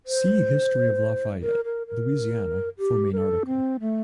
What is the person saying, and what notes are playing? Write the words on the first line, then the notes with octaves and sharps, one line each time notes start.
See History of Lafayette, Louisiana for main article.
C5
A#4
A#4
A#4
G4
A#4
A4
C4
A3